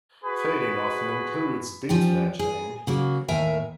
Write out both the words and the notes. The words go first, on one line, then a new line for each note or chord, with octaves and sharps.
Fading often includes beatmatching.
F#4 G#4 B4 B5
F3 G3 C#4 G4
G#4
C#3 F#3 A#3
D#2 A2 A#4 E5 G#5